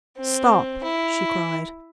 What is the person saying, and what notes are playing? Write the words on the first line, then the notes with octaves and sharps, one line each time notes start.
"Stop!" she cried.
C4
E4